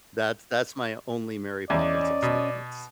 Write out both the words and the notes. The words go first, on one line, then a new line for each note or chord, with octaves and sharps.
That's that's my only Mary Poppins experience.
E2 C#4 D5 D#5
B2